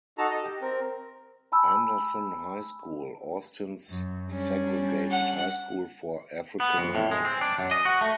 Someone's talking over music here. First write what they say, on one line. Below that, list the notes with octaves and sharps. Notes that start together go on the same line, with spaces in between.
Anderson High School, Austin's segregated high school for African Americans.
D#4 F#4 A4 A5 A#5
D#5
G4
C4 A#4
G#5 A5 B5 E6
F#2
G3 C#4 D4
F#5
B3
F2
A2
G#3
C4
D4
F#2
D#5
F#4
A3